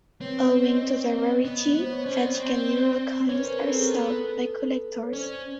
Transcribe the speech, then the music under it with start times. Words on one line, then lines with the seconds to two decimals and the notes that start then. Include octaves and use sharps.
Owing to their rarity, Vatican euro coins are sought by collectors.
0.21 C4 B4 C#5
0.37 B4 C#5
0.52 C5 D5
0.67 C#5 D#5
0.83 C#5 D#5
1.45 B3
1.75 B3 C5
1.93 C#5
2.06 C#4 C5 D5
2.16 C4
2.25 B3
2.35 C4
3.29 C#4 B4 C#5
3.44 A#4 C5
3.59 C4 A4 B4
3.75 G#4 A#4
3.86 A#4
3.90 B3 A4 B4
5.04 C#5
5.13 C#4 C5 D5